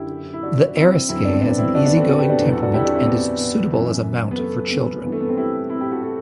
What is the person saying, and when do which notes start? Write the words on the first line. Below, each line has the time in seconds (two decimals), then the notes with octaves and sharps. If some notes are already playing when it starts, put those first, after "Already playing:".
The Eriskay has an easy-going temperament and is suitable as a mount for children.
Already playing: F#2 D3 F#3 E4 G4
0.33 E4
0.43 D4 F#4
0.76 C4 E4
1.09 E2 D3 F#3 C4 E4
1.25 B3 D4
1.33 C4
1.42 B3 D4
1.58 C4 E4
1.75 D4 F#4
1.85 B3 D4
1.97 A3 C4
2.08 F#4 A4
2.19 G4 B4
2.30 B3 D4
2.40 E2 D3 F#3 B3
2.52 F#4 A4
2.62 D4 F#4
2.73 E4 G4
2.85 D4 F#4
2.95 C4 E4
3.07 B3 D4
3.39 B3
3.72 F#2 E3
4.31 B3
4.38 A3
4.71 B3
5.04 G2 E3 B3
5.12 A3
5.21 B3
5.28 A3 C4
5.37 E4 G4
5.69 C4 E4
5.81 E4 G4
5.92 F#4 A4
6.03 F#4 A4